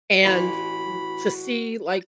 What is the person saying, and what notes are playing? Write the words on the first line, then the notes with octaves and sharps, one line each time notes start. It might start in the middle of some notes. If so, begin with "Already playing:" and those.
and you to see, like,
A1 E3 F4 F#4 B5